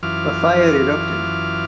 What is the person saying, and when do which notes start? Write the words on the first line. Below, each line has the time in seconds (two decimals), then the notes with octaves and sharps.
A fire erupted.
0.03 F#2 E3 F4 D6 F6